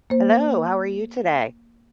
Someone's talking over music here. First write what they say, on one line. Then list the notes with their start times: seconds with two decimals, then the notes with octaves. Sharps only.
Hello, how are you today?
0.10 A#3 C5